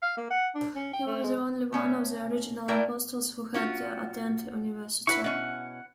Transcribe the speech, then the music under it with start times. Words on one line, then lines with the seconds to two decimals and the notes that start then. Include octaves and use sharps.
He was the only one of the original apostles who had attended university.
0.02 F5
0.17 A#3
0.30 F#5
0.55 D4
0.75 C#4
0.93 G5
1.06 A3
1.23 G#3
1.72 A3 C#4 C#5
2.68 A3 A#3 E4 A#4 D5 G5
3.54 C#4 F4 F#4
5.07 E4 B4 F#5 C#6
5.24 B2 C#4 F#5